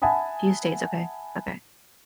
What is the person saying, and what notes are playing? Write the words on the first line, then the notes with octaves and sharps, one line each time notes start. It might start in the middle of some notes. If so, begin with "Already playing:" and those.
Few states, okay, okay.
E5 F#5 G#5 A5 B5 D#6